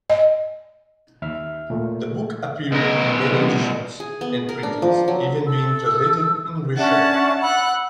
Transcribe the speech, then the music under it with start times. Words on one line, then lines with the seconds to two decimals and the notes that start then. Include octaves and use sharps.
The book appeared in many editions and printings, even being translated in Russian.
0.10 D#5
1.22 D#2 E5 F6
1.70 A#2 A3
2.72 B2 A#4 D#5
3.30 C3 E3 G3
4.00 G#4
4.21 B3
4.49 A#4
4.63 D4
4.82 F3
5.08 F#3
5.44 A4 E6
6.77 C#4 D4 E5 F#5 A5
7.41 F#5 B5 E6 F#6